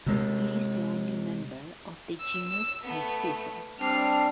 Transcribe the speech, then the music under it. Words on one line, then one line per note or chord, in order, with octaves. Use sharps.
It is the only member of the genus Aethusa.
C3 G#3
E6
A3 B3
G3 C4 D4 F6 C7